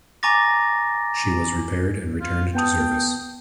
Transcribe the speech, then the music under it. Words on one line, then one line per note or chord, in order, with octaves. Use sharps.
She was repaired and returned to service.
G#5 A#5 C#6 D6 A6 A#6
F4
B3 G5 A5 D#6